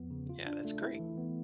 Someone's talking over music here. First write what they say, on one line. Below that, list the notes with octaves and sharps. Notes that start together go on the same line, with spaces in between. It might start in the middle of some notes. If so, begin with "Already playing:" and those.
yeah, that's great.
Already playing: E2 F3 B3
C#3
F4
D4
A3
E4
E3
B3